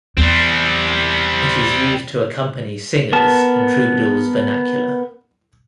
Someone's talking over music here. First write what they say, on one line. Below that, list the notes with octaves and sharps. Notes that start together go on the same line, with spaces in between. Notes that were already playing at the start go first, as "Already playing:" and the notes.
It is used to accompany singers' and troubadours' vernacular.
E2 G3 C4
B3 A#4 A5